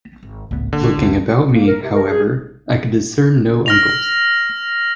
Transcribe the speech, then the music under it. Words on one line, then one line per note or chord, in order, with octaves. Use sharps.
Looking about me, however, I could discern no uncles.
G#1
G#1 C#2 A2 B3
D3 A#3
D1
A#3
A#4
C3
A#4
G#4
F6 A#6 F7